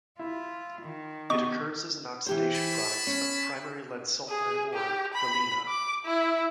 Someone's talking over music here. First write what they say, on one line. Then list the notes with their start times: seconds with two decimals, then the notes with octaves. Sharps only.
It occurs as an oxidation product of primary lead sulfide ore, galena.
0.19 E4 F4
0.81 D#3
1.30 B2 D#4 C#6
2.26 E3 G4 C5
2.55 G#5 A5 B5
3.07 C#4
4.29 G#4
4.74 G4
5.14 B5
5.68 D6
6.05 E4